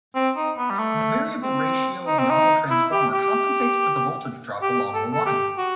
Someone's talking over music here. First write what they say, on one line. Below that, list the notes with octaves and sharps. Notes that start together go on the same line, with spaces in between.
The variable ratio of the autotransformer compensates for the voltage drop along the line.
C4
D#4
B3
G3
A3
C4
D#4
C4
D#4
E4
G4
G4
G4
A4
A4
G4
F#4